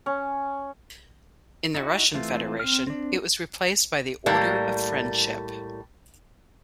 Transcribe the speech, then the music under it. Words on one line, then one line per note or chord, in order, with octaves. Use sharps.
In the Russian Federation it was replaced by the Order of Friendship.
C#4
D#4 E4 F#4
E3 A3 C4 F4
C4 F6
C4 D4
A2 G3 A#3